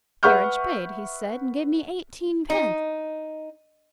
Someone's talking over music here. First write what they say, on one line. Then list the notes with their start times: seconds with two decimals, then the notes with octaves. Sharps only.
'Carriage Paid,' he said; and gave me eighteen-pence.
0.23 B4 E5 F#5 C#6 F6 G6
2.50 D#4